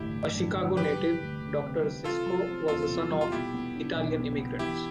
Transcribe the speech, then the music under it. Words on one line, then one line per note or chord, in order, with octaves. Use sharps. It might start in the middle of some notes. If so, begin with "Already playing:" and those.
A Chicago native, Doctor Sisco was the son of Italian immigrants.
Already playing: A1 G2 D3 E4 G4
A1
G2
D3
C3 G4 B4
G3
D2
D2
C3
G3
C3 F4 A4
G3
C4
E2 F4 A4
C3
G3
F4
B2 E4 G4
B3
D4
B1
B2
B3
E3 E4 G4